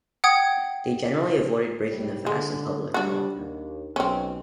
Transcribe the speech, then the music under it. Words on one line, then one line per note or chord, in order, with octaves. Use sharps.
They generally avoided breaking the fast in public, however.
F#5 G5 D#6 G#6
C2 A2 G3
D3 G#3
G3 D4 F#4
D#2
B1 C4 C#4